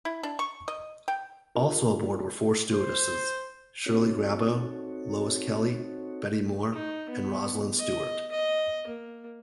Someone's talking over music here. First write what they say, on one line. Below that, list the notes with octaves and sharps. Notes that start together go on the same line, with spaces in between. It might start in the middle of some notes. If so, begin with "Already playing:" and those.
Also aboard were four stewardesses: Shirley Grabow, Lois Kelly, Betty Moore, and Rosalind Stewart.
E4
D4
C#6
D#5
G5
D4 F4 G4 A#4
C5
C4 D#4 F#4 A4 C#5
D#4
B3
D#5
D#5
A#3